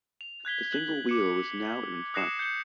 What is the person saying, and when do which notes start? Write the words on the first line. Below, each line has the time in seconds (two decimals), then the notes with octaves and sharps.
The single wheel was now in front.
0.21 F7
0.45 F#6 G#6 B6 G7
0.72 F#6 F#7
1.09 D6 C#7
2.14 D#6 F#6 A#6 C7 C#7 E7
2.39 G6 C#7